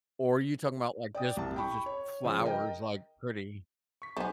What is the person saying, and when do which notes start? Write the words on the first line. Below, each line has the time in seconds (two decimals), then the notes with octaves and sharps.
Or, you talking 'bout, like, just li just flowers, like, pretty?
1.15 D5 G5 D#6
1.37 C2 A5
1.56 G5 B5 C#6
1.86 C#5
2.25 C#3 F3
2.45 A#4 D#5 G5
4.02 C#6 B6
4.17 B1 A3 B3 C5 G#5